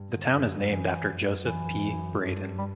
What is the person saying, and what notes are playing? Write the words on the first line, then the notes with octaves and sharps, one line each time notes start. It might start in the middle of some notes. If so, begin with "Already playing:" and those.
The town is named after Joseph P. Braden.
Already playing: G2
D3
F#2 D3
E3
F#2
E3
F#2
G2
G3